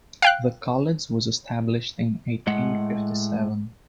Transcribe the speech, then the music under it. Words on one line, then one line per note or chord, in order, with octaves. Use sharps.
The college was established in eighteen fifty seven.
F5 G5 F#6
A2 G#3 F#5